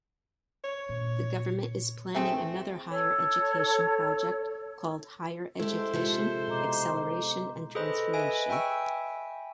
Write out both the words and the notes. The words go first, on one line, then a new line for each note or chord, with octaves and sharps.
The government is planning another higher education project called Higher Education Acceleration and Transformation.
C#5
A#2 D3
A3 C4 G#4
A4 C#5
G#3 E4 G4 A4 C5
C3 F3 E4 A4
B2 D#5 A#5 D6
G#4 A4 B4 C5 D#5 B5
B4 D#5 E5 G#5 D7
E5 G5 G#5 B5 C#6 E6